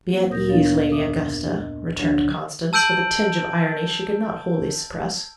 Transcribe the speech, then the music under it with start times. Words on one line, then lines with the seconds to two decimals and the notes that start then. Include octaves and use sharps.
"Be at ease, Lady Augusta," returned Constance, with a tinge of irony she could not wholly suppress.
0.10 A#3 C4
0.30 D2 A#2 A#4 D#6 G6 A#6
0.49 B3 D4 C#5 F5 A6
0.92 F2 A#4 E5 D6 D#6
1.55 D#5
1.99 D2 D3 F#3 D4 C#5
2.73 A5 E6 G6 D7 F#7